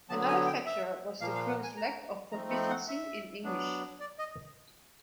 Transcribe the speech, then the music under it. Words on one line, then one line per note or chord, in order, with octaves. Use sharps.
Another factor was the crew's lack of proficiency in English.
D3 F#3 B3 A5
G#5
G5
E5
A#2 F3 A#3 F5
F5
F#5
G#5
A#5
F3 A3 C4 D#4 A#5
B5
F#5
E5
F#3 B3 D4
D5
D#5